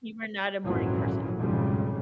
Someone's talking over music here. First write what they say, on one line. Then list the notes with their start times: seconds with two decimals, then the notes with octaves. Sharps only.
You are not a morning person?
0.63 G#1 F2 A#2 E3 F#3 C#4
1.38 B1 F2 G#2 C#3 G3